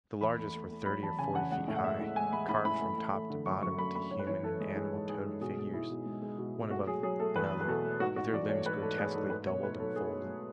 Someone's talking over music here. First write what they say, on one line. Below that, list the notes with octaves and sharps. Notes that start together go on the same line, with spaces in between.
The largest were thirty or forty feet high, carved from top to bottom into human and animal totem figures, one above another, with their limbs grotesquely doubled and folded.
E2 B5
A3
A3
A3
F#3 B5
E2 A5
C#3 G#5
E2 F#5
G#3 F#5
A2
F#5
G#3 E5
A2
G#3 G#5
G#3 B5
A2 B5
E3 B5
A3
A3
A3
D3
F#2 C#6
F#2 C#6
A3 B5
A3 B5
G#2 C#5
B4
E3 C#5
E3 A4
G#3
E3 G#4
G#2
G#2 G#4
G#2
B2 G#4
G#3
G#3 E4
B2
G#3
G#3
B2
G#3
A3 F#4
F#3 G#4
F#3 G#4
A3 A4
E2 B4
F#3
B4
B2 A4
A3
G#2 F#4
G#2 F#4
E3 D5
A3 C#5
G#2 B4
G#2 A4
A3 G#4
G#2 A4
A3 B4
B2 C#5
A3 B4
F#3 A4
A3 G#4
B2
A3